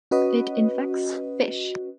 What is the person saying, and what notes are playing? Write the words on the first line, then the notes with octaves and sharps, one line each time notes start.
It infects fish.
C#4 F#4 B4 D#5